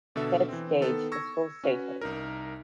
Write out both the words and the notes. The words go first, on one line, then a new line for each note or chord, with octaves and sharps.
The third stage was full statehood.
B2 D3 A4 E5
E3 C4
D#3 B3 A4
C#6 E6 G#6 A#6
C#4 F#4 B4
C2 D#4 A#4